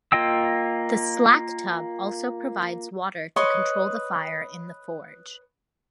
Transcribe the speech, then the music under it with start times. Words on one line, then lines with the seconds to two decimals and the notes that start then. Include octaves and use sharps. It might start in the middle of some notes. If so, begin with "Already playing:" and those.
The slack tub also provides water to control the fire in the forge.
0.12 A#3 F4 D#5 G5 E6
3.36 B4 C#5 D#5 C6